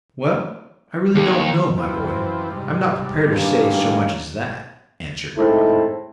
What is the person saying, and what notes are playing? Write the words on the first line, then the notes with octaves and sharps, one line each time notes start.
"Well, I really don't know, my boy; I am not prepared to say so much as that," answered my mother.
D#2
F#2 E3 F3 C4
G#2 C3 G3
G2 D#3 A#3 C#4
A2 G#3 C4 D#4 E4 A4